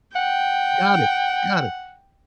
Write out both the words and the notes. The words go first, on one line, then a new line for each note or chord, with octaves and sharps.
Got it, got it.
F#5 G5